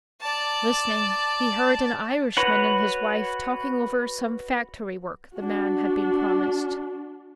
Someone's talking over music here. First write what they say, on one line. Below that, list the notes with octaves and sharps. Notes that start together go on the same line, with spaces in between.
Listening, he heard an Irishman and his wife talking over some factory work the man had been promised.
D5 A5
F#4 B4 C#5 F#5
D4 F#4